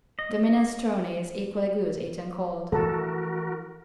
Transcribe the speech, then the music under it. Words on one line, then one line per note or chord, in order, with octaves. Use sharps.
The minestrone is equally good eaten cold.
D#5
E3 F3 A3 F#4 A4 A#4 A5